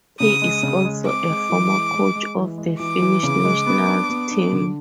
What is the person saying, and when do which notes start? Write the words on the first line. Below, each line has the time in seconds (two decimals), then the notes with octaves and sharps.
He is also a former coach of the Finnish national team.
0.20 C#3 D#6
0.42 G#3
0.63 C#3
0.85 G#3
1.06 C4 D6
1.29 G#3
1.50 E3
1.71 G#3
1.93 G#3
2.15 G#3
2.37 E3
2.58 G#3
2.79 E3 D6
3.02 E3
3.23 C#3
3.45 G#3
3.66 B3
3.88 D4
4.09 B3
4.31 D4
4.53 D3